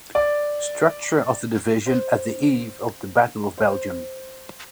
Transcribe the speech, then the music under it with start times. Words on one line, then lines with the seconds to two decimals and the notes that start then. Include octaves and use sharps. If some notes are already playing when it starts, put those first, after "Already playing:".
Structure of the division at the eve of the Battle of Belgium.
0.15 D5
1.86 C5
3.58 C5